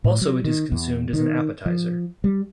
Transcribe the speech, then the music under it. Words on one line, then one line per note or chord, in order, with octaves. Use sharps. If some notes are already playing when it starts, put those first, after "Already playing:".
Also it is consumed as an appetizer.
A2
F#3
D#3
E2
D#3
F3
G3